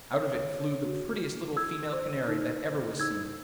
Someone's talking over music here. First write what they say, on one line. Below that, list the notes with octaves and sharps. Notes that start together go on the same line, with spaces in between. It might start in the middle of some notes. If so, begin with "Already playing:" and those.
Out of it flew the prettiest little female canary that ever was seen.
C#5
C#5
F#4
F#4
E4 E6 G#6
C5
D#4
C5
D#4 E6 G#6